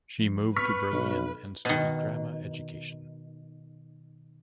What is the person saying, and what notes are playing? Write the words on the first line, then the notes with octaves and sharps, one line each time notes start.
She moved to Berlin and studied drama education.
F3
G1 G#2 C4 B4 C#6 F6 B6
B1 B2 E3 D4
B2 D#3